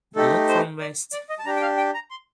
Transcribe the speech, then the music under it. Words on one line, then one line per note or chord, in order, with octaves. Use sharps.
Block from west.
A3 D#4 G4 A4
C5
D5
D5
D#5
A5
D4 G4 A#5
G5
F5
G5
A#5
C6